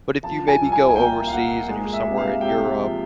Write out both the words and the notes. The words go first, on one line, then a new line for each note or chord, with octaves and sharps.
But if you maybe go overseas and you're somewhere in Europe,
F3 A5
G#5
C2
G#5
G#5
A#3 G5
F5
A#2 F#5
G#3
E5
C3
F5
C3 G5
F3